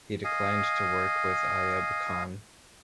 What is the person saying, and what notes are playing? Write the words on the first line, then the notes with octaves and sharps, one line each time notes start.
He declined to work with Ayub Khan.
D#5 F5 G#5